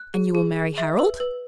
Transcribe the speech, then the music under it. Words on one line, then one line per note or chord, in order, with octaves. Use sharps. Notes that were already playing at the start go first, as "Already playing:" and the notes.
'And you will marry Harold?'
Already playing: F#6
G#4
G#4
G#4
E5
B4
B4